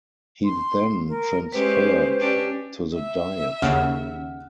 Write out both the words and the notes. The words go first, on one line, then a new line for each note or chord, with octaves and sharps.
He then transferred to the Diet.
C6
A#4
G#3 C#4 G4 B4 C5
C#4 D4 G4
E5
D#2 C#3 F#5 F6